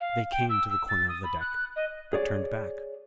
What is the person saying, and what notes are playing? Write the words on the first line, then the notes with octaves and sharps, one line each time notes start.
They came to the corner of the deck, but turned back.
F5
G5
E6
E6
A6
D#6
B5
F#6
D#5
G#4 C#5 D5